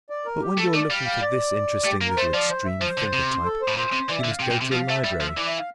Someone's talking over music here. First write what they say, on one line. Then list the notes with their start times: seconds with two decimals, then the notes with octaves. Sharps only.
But when you are looking for this interesting little extreme thinker-type you must go to a library.
0.10 D5
0.25 A#4
0.42 G4
0.57 A3 A4
0.74 A3 D5
0.90 G3 F5
1.06 F5
1.22 D5
1.85 A3 G4
2.01 A#3
2.07 A#4
2.17 A3 C5
2.33 F3 D5
2.50 C5
2.65 E5
2.81 F3 C5
2.98 D3
3.13 C3
3.45 A4
3.61 C5
3.68 A2
3.77 A#2 C5
3.93 C3
4.09 E3 D5
4.20 E5
4.25 D3
4.31 F5
4.41 C3 G5
4.51 A#2
4.62 C3
4.72 F3 F5
4.89 A3 E5
5.04 G3
5.21 F3
5.27 E5
5.37 E3 D5
5.47 E5
5.58 F5